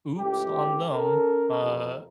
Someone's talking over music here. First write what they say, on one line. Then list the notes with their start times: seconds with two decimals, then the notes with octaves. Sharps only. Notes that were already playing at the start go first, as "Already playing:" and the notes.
Oops on them. Uh,
0.18 C#2 A2 G4
0.92 C#4 A4 A#4
1.60 F2 C3